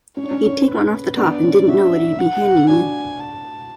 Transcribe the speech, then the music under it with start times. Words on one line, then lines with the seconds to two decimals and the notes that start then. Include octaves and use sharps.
He'd take one off the top and didn't know what he'd be handing you.
0.17 C#4 C#5
0.23 D4
0.31 C#4
0.67 B4
1.17 B3 D4 D5
1.43 C#4
1.68 D4 F#4 E5
2.19 F#5
2.69 D4 F#4 G#5
3.19 A5